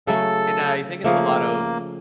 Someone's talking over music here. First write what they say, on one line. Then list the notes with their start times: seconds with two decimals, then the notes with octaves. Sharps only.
and I think it's a lot of
0.07 C#3 F#3 A3 A4
1.04 C#3 F3 A3 A#3